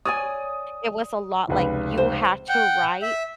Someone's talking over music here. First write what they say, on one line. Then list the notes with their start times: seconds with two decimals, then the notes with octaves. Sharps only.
it was a lot, like, you had to write
0.05 C#5 D5 G#5 D#6
1.48 F1 C#2 B4
1.98 C5
2.49 F#5 G5
3.02 E5